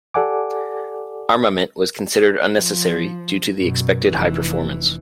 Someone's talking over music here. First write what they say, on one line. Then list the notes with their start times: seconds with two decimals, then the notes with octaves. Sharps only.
Armament was considered unnecessary due to the expected high performance.
0.14 G4 A4 D5 F#5 G#5 D6
2.57 F3
3.56 F#2 B2
4.05 F1 E3